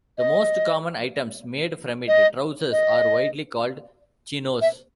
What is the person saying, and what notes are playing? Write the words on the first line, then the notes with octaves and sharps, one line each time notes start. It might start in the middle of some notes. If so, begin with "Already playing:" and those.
The most common items made from it, trousers, are widely called "chinos".
D#5
D#5
D#5
E5